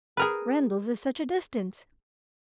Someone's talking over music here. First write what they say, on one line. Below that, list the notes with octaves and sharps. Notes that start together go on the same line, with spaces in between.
Randalls is such a distance.
G#4 A#4 B4